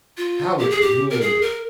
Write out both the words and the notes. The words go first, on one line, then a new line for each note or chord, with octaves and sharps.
How it bloomed!
F4
G4
G#4
G4
A#4
G#4
A#4